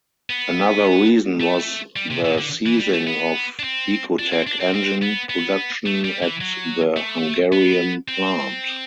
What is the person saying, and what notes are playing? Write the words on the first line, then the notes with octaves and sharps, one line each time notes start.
Another reason was the ceasing of Ecotec engine production at the Hungarian plant.
B3
A3
G3
C3
B2
D3
E3
G3
A3
B3
D4
C4
D4
C4
D4
C4
C4
B3
B3
A3
G3
E3
F#3
A3
B3
C4